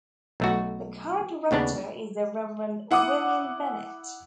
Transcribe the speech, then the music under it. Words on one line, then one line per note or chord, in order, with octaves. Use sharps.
The current Rector is the Reverend William Bennett.
B1 A3 F#4
D#2 C#3 B3 D4
E4 F#5 D6 D#6